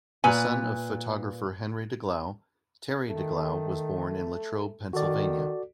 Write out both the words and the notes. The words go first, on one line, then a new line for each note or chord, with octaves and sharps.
The son of photographer Henry Deglau, Terry Deglau was born in Latrobe, Pennsylvania.
A#2 B4 G#5
D#3 A3
D#3 F#4 A4 D5